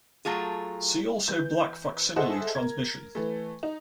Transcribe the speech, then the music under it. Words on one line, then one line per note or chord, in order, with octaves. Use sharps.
See also Black facsimile transmission.
F#3 A3 F4 G#4
E3 G6
G#4 A4 C5 D#5 E5 F#5
A#4 G#6
E3 A3
D#4